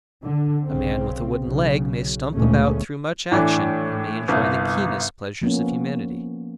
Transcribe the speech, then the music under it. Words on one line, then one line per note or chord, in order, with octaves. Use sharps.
A man with a wooden leg may stump about through much action, and may enjoy the keenest pleasures of humanity.
D3
B1 C#3 C4
B1 C#3
D2 A#2 G#3 A3 C#4
A2 E3 D4
G1 C2
F3 A#3 B3 C#4